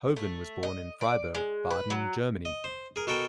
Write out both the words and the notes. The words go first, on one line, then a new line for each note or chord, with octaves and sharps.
Hoven was born in Freiburg, Baden, Germany.
A3
D#5
D5
G#3
B4
F#3
D#5
C5
G#4 A#4
B2 F#4 A4 A#4 G5